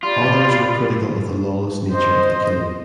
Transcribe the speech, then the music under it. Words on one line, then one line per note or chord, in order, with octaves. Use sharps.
Others were critical of the lawless nature of the killing.
F4 G4 D5 B5
C5 D#5